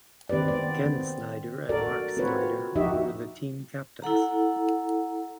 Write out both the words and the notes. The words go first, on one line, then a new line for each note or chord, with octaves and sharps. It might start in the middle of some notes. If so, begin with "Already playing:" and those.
Ken Snyder and Mark Snyder were the team captains.
D#3 C4 G4 B4 D5
B3 D5
C4
F#4 A4 A#4 D5
C4 F4 F#4 A#4 B4 C#5
F3 D#4 F#4 G4 D#5 E5
E4 A4 F#5 A#5